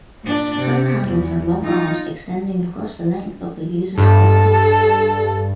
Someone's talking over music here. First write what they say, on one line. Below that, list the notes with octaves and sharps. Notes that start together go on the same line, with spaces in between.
Some handles have long arms extending across the length of the user's forearm.
A#2 D4
C3
E2
D#4 F4
G2 A4